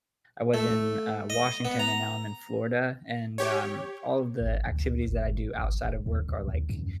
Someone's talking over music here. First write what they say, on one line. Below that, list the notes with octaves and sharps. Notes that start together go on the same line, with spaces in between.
I was in, uh, Washington, and now I'm in Florida, and, um, all of the activities that I do outside of work are, like,
A3
D#5
B3
A#5
G4 C#5
G#1
D2
G1
G1
G#1
E1
D#2
C2
D#2
F#2